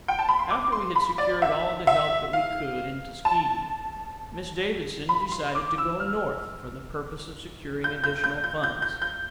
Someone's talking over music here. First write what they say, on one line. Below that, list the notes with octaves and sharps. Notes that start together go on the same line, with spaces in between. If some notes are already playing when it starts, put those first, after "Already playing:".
After we had secured all the help that we could in Tuskegee, Miss Davidson decided to go North for the purpose of securing additional funds.
G5
A5
B5
C6
D6
C6
B5
D5
E5
E5
F5
A5
B5
C6
D6
E6
F6
G6
G6
G6
G6
G6
G6
G6